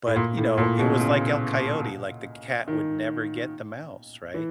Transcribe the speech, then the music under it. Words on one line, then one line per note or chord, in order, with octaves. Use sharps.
but, you know, it was, like, El Coyote, like, the c cat would never get the mouse, right?
A2
A#2
A2
A#2
B2
C#3
D#3
E3